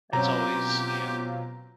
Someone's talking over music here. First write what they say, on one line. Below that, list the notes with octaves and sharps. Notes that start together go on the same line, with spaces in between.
it's always, you know,
B2 F#3 C4 C#4 F4 G4 A#5